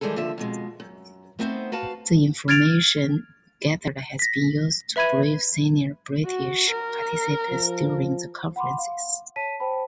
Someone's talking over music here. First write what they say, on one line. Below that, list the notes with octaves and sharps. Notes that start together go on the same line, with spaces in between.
The information gathered has been used to brief senior British participants during the conferences.
D#3 E3 G3 G#3 G#4 A4
D#2 D3 F3 E5
F2 B2 G#3
F#2
A3 B3 C4 D#4 C5
F#4 B4 F5 A5
F6 G#6 A6 D7 F7
A#6 B6
B4 E5 B5 G#6 D#7
F#4
A#4
F3
F#5 B5 C6 D6
F5
C#5 A5 B6 D#7
C5 G5 A5 B5